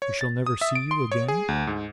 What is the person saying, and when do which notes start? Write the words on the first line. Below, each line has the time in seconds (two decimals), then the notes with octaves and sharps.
"We shall never see you again?"
0.02 C#5
0.21 A6
0.46 D#6
0.61 E5
0.75 D7
0.91 C6
1.12 C#5
1.28 G#4
1.48 D2
1.67 G#2